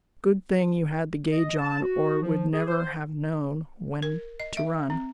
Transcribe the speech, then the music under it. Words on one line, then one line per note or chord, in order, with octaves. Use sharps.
Good thing you had the gauge on or we'd never have known when to run.
D#5
A5
F#4
F3
G#4
C5
A#4
D#5
E5
C4